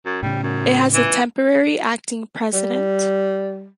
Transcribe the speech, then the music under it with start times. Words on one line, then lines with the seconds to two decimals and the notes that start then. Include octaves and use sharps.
It has a temporary acting president.
0.06 F#2
0.23 A2 C#3 G3
0.43 F#2
0.94 E3
2.53 G3